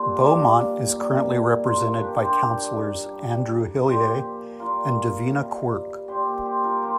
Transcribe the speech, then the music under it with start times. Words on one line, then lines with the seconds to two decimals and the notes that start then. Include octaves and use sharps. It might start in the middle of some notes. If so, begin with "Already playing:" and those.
Beaumont is currently represented by councilors Andrew Hillier and Davina Quirke.
Already playing: G2 D3 A#3 D4 F4 G4
0.15 A#2 G3 A#4 D5
0.90 A#2 G3
1.63 G2 F3 F4 A#4
2.01 D4 G4
2.19 G4 C5
2.38 G2 G3
3.12 G2 G3
3.85 A#2 F3 G4 C5
4.59 A#2 G3 F4 A#4
5.34 C3 G3
6.08 A#2 G3 G4 C5
6.45 G4 C5
6.64 F4 A#4
6.83 F3 G4 C5